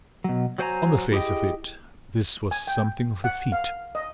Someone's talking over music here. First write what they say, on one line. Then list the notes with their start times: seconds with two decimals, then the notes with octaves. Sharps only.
On the face of it this was something of a feat.
0.24 B2 F#3
0.58 F#3 F#4 C5 G5 G#5 A#5
1.12 E4 G4 G#4 D#5 G5
2.51 G#5
2.67 G5
3.24 F#5
3.52 F5
3.95 D#5